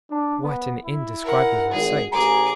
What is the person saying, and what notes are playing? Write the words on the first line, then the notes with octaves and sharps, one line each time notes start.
What an indescribable sight!
D4
B3
E4
A#4 F#5
G#1 G#4
A1 G#4 G#5 A#5 D6